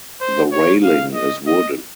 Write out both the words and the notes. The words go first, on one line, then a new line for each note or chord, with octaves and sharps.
The railing is wooden.
C5
C#5
F5
D#5
D#5